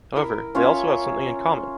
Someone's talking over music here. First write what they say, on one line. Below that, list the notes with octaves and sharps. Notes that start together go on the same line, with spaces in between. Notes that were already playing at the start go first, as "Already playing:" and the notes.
However, they also have something in common.
E4 A#4
C#4 F4 C#5 E5